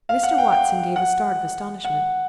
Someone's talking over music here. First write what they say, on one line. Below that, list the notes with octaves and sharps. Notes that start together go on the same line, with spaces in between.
Mr. Watson gave a start of astonishment.
F5
F#5
G5
G5
F#5
F#5